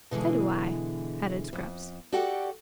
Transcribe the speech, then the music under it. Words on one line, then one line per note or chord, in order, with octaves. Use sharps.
"So do I," added Scraps.
B2 D3 E3 G#3
F2
F#4 G4 A4 D5 F#5 G5